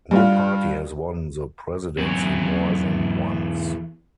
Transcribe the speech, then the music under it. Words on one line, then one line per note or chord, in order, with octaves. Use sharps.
No party has won the presidency more than once.
G2 F4
E2 F#3